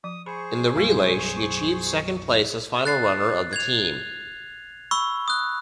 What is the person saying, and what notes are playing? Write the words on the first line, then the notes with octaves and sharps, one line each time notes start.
In the relay, she achieved second place as final runner of the team.
F3 D#6
G#4 C5 B5 C#6
B1 F#2 G3 G#3 F5
F#6 A6 C7
G#6 F7
B5 C#6 E6
D#6 F#6